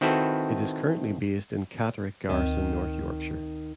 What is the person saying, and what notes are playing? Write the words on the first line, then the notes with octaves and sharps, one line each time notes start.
It is currently based in Catterick Garrison North Yorkshire.
D#3 C4 E4 F#4 A4 B4
D2 D#3 C4